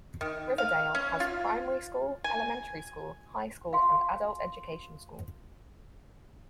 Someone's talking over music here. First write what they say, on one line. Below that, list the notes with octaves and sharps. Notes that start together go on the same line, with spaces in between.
Riverdale has a primary school, elementary school, high school, and adult education school.
D#3
F5
C#4
F4
G#5
F5 C6